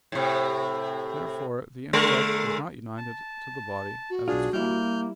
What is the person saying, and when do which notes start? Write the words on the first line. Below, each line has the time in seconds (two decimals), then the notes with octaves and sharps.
Therefore the intellect is not united to the body as its form.
0.12 A2 C3
1.93 D3 G#3 A#4
2.98 A5
4.10 F#4
4.28 B1 D4 F4 G#4
4.53 G3 A#3 E4 F6 G6